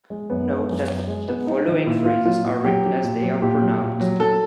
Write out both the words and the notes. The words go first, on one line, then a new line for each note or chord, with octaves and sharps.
Note that the following phrases are written as they are pronounced.
G#3
F#2 B3
G#3
F#2
F#2
G#3
G#3 B3
G#3 D#4
D#3 D#4
A#2 E4
A#2 F4
F#3 F4
A#2 F#4
F#3 G4
F#3
A#2
F#3
A#2 G4
F#3
A#2
F#3
F#3 A4